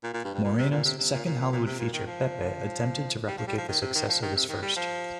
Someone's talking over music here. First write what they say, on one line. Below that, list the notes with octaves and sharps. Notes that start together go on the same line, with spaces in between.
Moreno's second Hollywood feature, "Pepe", attempted to replicate the success of his first.
A#2
A#2
G2
G2
A#2
C3
A#2
C3
C3
A#2
A#2
A#2
A#2
C3
A#2
D#3
F3
G3
F3
G3
F3
D#3
C3
D#3
F3
D#3
C3
D#3
G3
F3